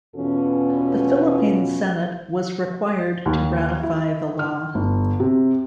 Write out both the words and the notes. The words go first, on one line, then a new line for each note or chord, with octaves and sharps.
The Philippine Senate was required to ratify the law.
E2 B2 E3 C#4 F4 A4
D#2
E4
F6
G1
C3